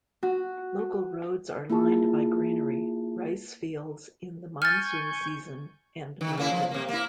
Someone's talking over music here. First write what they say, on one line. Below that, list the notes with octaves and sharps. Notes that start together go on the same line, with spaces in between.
Local roads are lined by greenery, rice fields in the monsoon season, and mountains.
F#4
A#3 E4 F4 G#4 A5
G#5 C#6 F6 G6 A6
D#3
C#3 A#3 E4
F3
C3 A#3
A#3 E4